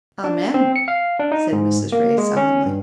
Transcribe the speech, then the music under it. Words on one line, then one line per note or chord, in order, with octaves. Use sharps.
"Amen!" said Mrs. Ray, solemnly.
D4
C4
C#7
F5
D4
D#4
G#2
A#3
G#3
C#4
G2